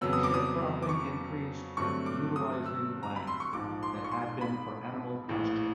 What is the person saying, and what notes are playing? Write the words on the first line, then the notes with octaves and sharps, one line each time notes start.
Sharecropping increased utilising land that had been for animal pasturage.
F2 C#3 F#3 B3 E6
D#6
D6
D#6
D6
C#6
G2 D3 F#3 A3 C4 C#6
D6
D#6
E6
A#5
B5
C6
C#6
A#1 G#2 F3 D6
C6
C#6
C6
B5
A#1 A2 E3